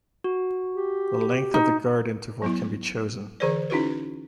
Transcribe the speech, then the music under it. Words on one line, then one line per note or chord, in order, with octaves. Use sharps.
The length of the Guard Interval can be chosen.
F#4
G4
D#4
F#3 B3 E4
D3 E3 G#4 B4 C5 D5
C#4 D#4 E4 F#4 G#4 B4